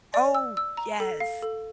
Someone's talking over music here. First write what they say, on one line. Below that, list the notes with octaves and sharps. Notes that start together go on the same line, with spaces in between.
Oh, yes.
D5
E6
E6
A#5
A4
F5
A4